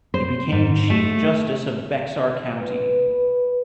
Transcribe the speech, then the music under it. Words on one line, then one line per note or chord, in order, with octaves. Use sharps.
He became Chief Justice of Bexar County.
C5
G#2
A3
B4